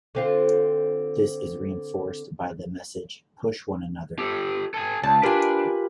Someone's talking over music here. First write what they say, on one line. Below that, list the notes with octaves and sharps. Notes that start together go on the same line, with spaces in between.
This is reinforced by the message Push One Another!
D3 C4 F4
G4 A4
A4 G#5
C#2 A5
D4 F4 G4 A#4 B4 G#5